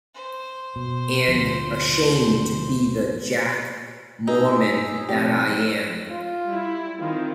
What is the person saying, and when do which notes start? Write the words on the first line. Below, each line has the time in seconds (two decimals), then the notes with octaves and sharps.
And ashamed to be the Jack Mormon that I am.
0.14 C5
0.76 B2
1.28 D2 F3
4.27 D#4 G#4 E6
5.09 G#2 B2 F3 C4 G4
6.10 F4
6.45 G3 E4
6.99 D#3 C4 F4